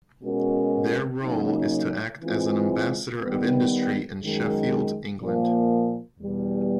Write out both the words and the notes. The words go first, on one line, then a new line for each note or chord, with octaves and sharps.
Their role is to act as an ambassador of industry in Sheffield, England.
B2 G#3 C#4 F#4 A#4
C#3 F#3 A#3 D#4
E3 G#3 C4 F4
D#3 G3 B3
F#2 D#3 G#3
A#2 F3 A#3
E2 B2 G3 B3